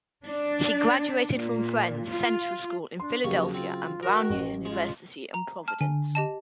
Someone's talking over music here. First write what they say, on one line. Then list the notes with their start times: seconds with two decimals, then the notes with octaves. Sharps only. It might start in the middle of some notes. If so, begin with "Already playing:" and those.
He graduated from Friends' Central School in Philadelphia and Brown University in Providence.
0.24 D4
1.33 A#2
2.11 F4
3.00 D4 C6
3.25 D#2 C#3 F3 F#3 C#6
3.54 C4 F4
4.03 D#3 F#4 A#4
4.30 A1
4.65 G#3 F4
5.34 A#5
5.68 A5 F6
5.81 D3 G#5
6.15 G4 D#5 A5